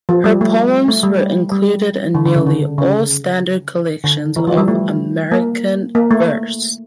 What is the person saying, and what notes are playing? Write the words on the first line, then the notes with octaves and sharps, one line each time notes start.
Her poems were included in nearly all standard collections of American verse.
F3
G3
A3
A3
G3
G3
D3
D3
C#3
D3
C#3
D3
E3
F3
G3
A3
A#3
A#3
A3